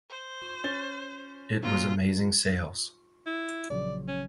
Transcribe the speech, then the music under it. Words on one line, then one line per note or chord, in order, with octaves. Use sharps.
It was amazing sales.
C5
C#4 A6 G7
A#2 F#3 F4
E4
A#1 C#3 F#3 D5
C#4